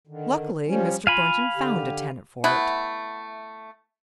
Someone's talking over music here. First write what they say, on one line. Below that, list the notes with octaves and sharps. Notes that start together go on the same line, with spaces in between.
Luckily, Mr. Thornton found a tenant for it.
D3 D#3
F3 G3 C#4
F4 F5 G#5 B5
D3 G4
A3 B3 E4 F#5